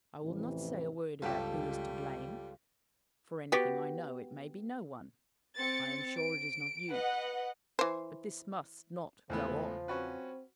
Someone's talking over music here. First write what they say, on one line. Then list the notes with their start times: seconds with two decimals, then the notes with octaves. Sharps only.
I will not say a word about who is to blame--for anything I know, it may be no one--I am sure it is not you. But this must not go on!
0.23 A1 F2 C3 E3
1.22 G1 C#2 G3 F4 G4 A4
3.52 B3 F#4 G4
5.57 C4 A6 C#7
6.18 D7
6.89 B4 D#5 F#5
7.79 E3 C5
9.30 E2 A2 C#3 E3 F3 G#3 A3 B3
9.88 C4 C#4 F#4 B4